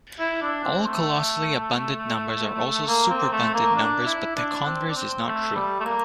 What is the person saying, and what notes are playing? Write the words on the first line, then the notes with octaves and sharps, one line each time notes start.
All colossally abundant numbers are also superabundant numbers, but the converse is not true.
E4
D4
C4
A3
A#3
C4
A3
A#3
D4
E4
D4
C4
D4
C4
A3
G3
A3
A#3